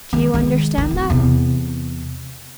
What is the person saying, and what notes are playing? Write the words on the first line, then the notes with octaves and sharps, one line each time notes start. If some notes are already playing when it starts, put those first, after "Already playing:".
Do you understand that?
D#3 G#3
D#3 G#3
D#3
D1
E2 C3